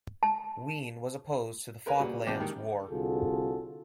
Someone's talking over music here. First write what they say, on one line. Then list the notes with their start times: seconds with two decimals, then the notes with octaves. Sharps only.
Wheen was opposed to the Falklands War.
0.23 A5
1.86 A#4 B4 G#5 A#5
2.00 A#2 C#3 G3 F#4 B4
2.27 C#2 B2 E3 D5 G5 A5
2.40 G#2 D#3 G4 A#4
2.90 C2 D3 F4 F#4 G#4 A4